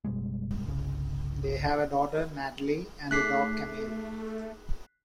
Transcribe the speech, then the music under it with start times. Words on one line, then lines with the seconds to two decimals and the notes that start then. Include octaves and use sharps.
They have a daughter, Natalie, and a dog, Camille.
0.04 F#1 B2 G3 G#3
0.67 G1 C2 C#3
3.11 A3 D#4 G#4 D6 F#6 B6 C7